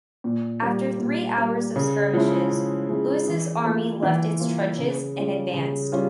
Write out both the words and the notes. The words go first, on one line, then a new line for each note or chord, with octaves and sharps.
After three hours of skirmishes, Louis' army left its trenches and advanced.
A#2
G3 A#3
A#2
G3 A#3
C#3
F3 G#3 C#4 E4
C#3
F3 G#3 C#4 E4
E3
A#3 F4
E3
A#3 F4
C#3
G3 C#4 F4
C#3
G3 C#4 F4